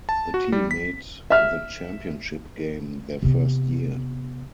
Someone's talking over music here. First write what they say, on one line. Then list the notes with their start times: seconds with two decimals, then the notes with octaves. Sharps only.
The team made the championship game their first year.
0.09 A5
0.34 F#4
0.52 G3
0.71 B6
1.30 E5 F6
3.23 C3 B3